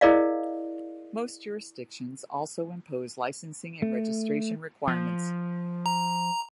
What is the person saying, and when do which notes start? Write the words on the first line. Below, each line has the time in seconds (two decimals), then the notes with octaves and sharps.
Most jurisdictions also impose licensing and registration requirements.
0.01 E4 G#4 A#4 D5 D#5 F5
3.82 A3
4.87 F3
5.86 A#5